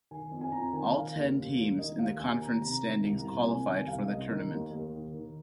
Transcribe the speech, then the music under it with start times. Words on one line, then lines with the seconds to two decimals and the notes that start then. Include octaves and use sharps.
All ten teams in the conference standings qualified for the tournament.
0.11 D#3 G#5
0.31 F2
0.41 G#5
0.52 F2 A#5
0.73 D#3 G#5
0.94 D#3 F5
1.15 D#2
1.36 D#2
1.57 D#3
1.78 D#3 D#5
1.98 D#2 F5
2.19 D#2 G#5
2.41 D#3 A#5
2.61 C3 A#5
2.83 D#3
3.03 C2
3.17 A#5
3.25 C2
3.45 C3 G#5
3.66 D#3 G#5
3.87 C2 F5
4.08 C2 D#5
4.29 D#3
4.50 D#2
4.71 D#2
4.92 D#3
5.13 D#3